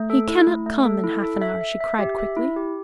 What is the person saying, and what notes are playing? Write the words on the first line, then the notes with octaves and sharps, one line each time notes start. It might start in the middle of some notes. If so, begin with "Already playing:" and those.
"He cannot come in half an hour," she cried quickly.
Already playing: A3
A4
E4
A3
A3
A4
E4
A4
E5
E5
E5
G4
E5
E4
G4